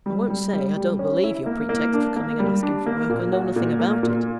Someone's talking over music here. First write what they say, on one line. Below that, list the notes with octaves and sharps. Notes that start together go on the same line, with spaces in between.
I won't say, I don't believe your pretext for coming and asking for work; I know nothing about it.
G3
G3
G3
G3
C#4
E4
A#3
A#3
D4
A#3
G3
D4
A#3
A#2
F#4
A#2
A#3
A#2